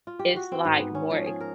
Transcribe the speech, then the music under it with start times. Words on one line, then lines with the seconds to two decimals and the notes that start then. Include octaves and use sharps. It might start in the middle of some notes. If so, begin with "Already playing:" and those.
it's like more
0.07 F4
0.19 G4
0.36 F#4
0.52 C4
0.65 G#2
0.79 B3
0.95 C#4
1.11 F3
1.26 G#4
1.40 A#4